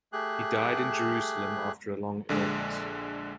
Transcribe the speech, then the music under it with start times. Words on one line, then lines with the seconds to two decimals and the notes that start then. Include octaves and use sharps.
He died in Jerusalem after a long illness.
0.13 A3 G4 G#4 F#6
2.29 A#1 D3 G#3